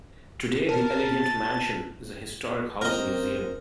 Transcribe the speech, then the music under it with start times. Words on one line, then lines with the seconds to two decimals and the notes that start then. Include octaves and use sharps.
Today the elegant mansion is a historic house museum.
0.69 A#4 A5
1.24 A6
2.81 A#3 C4 A#4 C5 D#5 F6